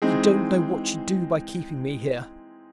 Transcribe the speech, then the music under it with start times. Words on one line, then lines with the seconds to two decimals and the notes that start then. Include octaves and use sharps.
You don't know what you do by keeping me here.
0.02 E3 G#3 C4 D#4 G#4